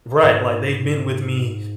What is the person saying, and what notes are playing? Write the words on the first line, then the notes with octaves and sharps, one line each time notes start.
Right, like they've been with me
G#2